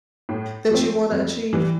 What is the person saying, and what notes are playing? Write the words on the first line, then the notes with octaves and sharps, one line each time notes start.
that you wanna achieve?
A2
F3 A3 C4
F2
E3 G3